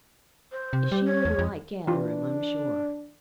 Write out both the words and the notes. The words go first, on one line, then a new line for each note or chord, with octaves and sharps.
"She wouldn't like Gatherum, I'm sure."
C5
C3
G3
C#5
E2
F2
E3 D4 F4